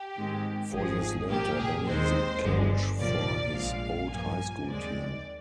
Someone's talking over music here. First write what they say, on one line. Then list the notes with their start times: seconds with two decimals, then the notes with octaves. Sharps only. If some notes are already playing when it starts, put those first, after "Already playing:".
Four years later, Danny is a coach for his old high school team.
Already playing: G4
0.16 G#2 D#3 G#3 C4
0.73 G#1 G#2 F3 G#4
1.29 A#1 A#2 F3 A#3 G4
1.58 G#4
1.86 D#2 D#3 G#3 C4 C5
2.42 G1 G2 D3 F3 G#3
2.98 C2 A#2 F3 A#3 D5
3.55 A#1 A#2 G#3 F5
4.11 G2 F3 A#3 G#5
4.68 D#2 D#3 G#3 C4 D5